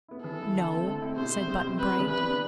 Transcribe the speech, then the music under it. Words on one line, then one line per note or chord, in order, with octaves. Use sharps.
"No," said Button-Bright.
B3 E4
E3 A4
B3 E4
D3
A3 C4 E4
D3
A3 C4 E4
B2 C5
G3 C4 E4
B2
G3 C4 E4
C3 B4
E3 B3 D4
C3 B4
E3 B3 D4